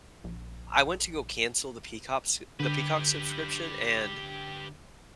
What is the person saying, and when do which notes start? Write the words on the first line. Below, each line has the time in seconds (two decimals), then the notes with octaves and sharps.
I went to go cancel the Peacops the Peacock subscription, and
0.24 A#1
2.60 D3 G4 B4